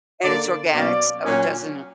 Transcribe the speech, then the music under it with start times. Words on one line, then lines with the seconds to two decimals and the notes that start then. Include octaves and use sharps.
and it's organic so it doesn't, uh
0.24 D3 A#3 D4 D5
0.73 B2 F#3 A#3 C#4 D5
1.25 A#2 F#3 C#4